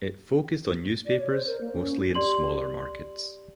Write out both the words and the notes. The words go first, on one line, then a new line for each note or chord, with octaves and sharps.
It focused on newspapers, mostly in smaller markets.
D5
C#5
C5
A#4
A#3
C#4
G4 D5 C6 F#7